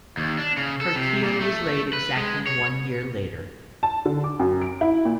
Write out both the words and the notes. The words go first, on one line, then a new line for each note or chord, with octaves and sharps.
Her keel was laid exactly one year later.
D#2
D4
C#3
A4
C3
A#2
A3
B4
G#3
C#5
A5
D3
D6
F#2
D7
E4
A#2